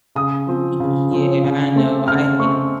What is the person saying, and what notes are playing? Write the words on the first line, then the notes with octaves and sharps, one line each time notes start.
Yeah, I know, no, I hate ‘em.
C#3 D#6
F3 C4
C#3
F3 C4
C#3
A3 C4
C#3 F6
A3 C4 C#6